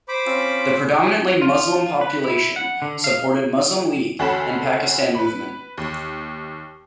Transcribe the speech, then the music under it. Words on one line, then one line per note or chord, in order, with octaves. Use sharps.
The predominantly Muslim population supported Muslim League and Pakistan Movement.
C5 B5 D6
C4 C#4 F4
F4
B4
E4
F#5
D3
F5
D2 C#4 F#4 A4 B5 E7
B4 B5
D#2